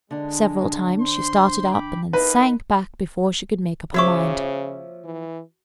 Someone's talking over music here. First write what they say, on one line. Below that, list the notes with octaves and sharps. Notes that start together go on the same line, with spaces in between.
Several times she started up and then sank back before she could make up her mind.
D3 G#3 D4
C5 C6
G5 B5 D6
A#3 D#4 G#4 A#4 B4 F5
C#3 F3 A#3 F#4 C#5 E5 C#6 D6
E3